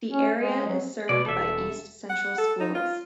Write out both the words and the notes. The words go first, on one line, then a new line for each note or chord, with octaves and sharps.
The area is served by East Central Schools.
C#4
G#3
F#3
B2 D5
E1 A4 E5
F#5
A4
D#4
F4